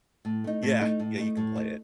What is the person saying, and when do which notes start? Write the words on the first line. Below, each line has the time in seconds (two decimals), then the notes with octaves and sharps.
Yeah, yeah, you can play it.
0.25 A2
0.44 A3 D#4
0.63 A2
0.81 A3 D#4
0.99 A2
1.18 A3 D#4
1.37 A2
1.55 A3 D#4